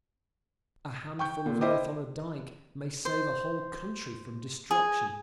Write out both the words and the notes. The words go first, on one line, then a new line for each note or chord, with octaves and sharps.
A handful of earth on a dike may save a whole country from destruction.
G5 C#6 G6
A#2
E4 C5 D#5 G5 D6
C5
G#4